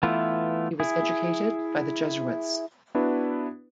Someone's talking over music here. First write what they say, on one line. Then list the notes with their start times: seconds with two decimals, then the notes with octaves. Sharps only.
He was educated by the Jesuits.
0.03 E3 A3 B3 E4 F4
0.80 E4 G#4
2.95 B3 D4 E4 F#4 B4